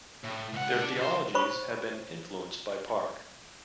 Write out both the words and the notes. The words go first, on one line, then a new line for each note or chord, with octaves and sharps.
Their theologies have been influenced by Park.
A2
C#2 F#5
D4
C#2 C5
C5 C#5 B5 C#6